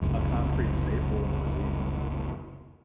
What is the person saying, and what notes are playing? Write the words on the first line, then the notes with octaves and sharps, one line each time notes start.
a concrete staple in cuisine.
F1 C#2 F#2